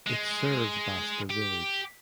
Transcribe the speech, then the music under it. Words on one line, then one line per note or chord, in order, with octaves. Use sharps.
It serves Basta village.
G#3
G4